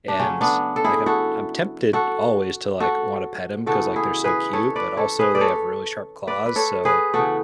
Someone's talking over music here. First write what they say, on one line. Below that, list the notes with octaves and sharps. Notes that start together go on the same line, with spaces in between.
and, like, I'm I'm tempted always to, like, wanna pet 'em 'cause, like, they're so cute, but also they have really sharp claws, so
D4
C#3 F#3 A3 C#4
B3 D4
A4
E4 G#4
F#4 A4
F#4 A4
F#4 A4
C#3 E3 B3 F#4 A4
E4 G#4
G#4 B4
A4 C#5
B4 D5
A4 C#5
G#4 B4
D5
A4 C#5
B4 D5
B4
A4 C#5
G#4 B4
C#3 E3 B3 F#4 A4